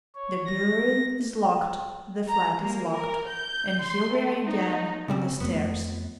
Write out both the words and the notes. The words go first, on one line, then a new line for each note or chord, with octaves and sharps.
The bureau is locked, the flat is locked, and here we are again on the stairs.
C#5
A#6
G5
A#5
A#3
A#4
G6
C6
A3
D#4
C#3 G3 C4
F2 A3 B3